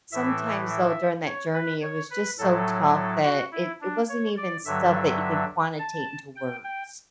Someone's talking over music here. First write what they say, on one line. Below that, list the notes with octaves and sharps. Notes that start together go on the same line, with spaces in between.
sometimes, though, during that journey, it was just so tough that it it wasn't even stuff that you could quantitate into words
A2 E3 E5
E5
C#5
B4
C#5
B4
A2 F#3 A4
A4
F#4
E4
D4
C#5
D5
G2 D3 F#3 E5
A5
G5
G5